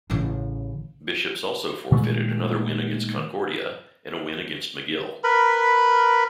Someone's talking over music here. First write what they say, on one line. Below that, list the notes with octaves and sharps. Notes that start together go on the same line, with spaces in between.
Bishop's also forfeited another win against Concordia and a win against McGill.
A1 C#3
A#2 D#3 G#3 A3
A#4 B4 B5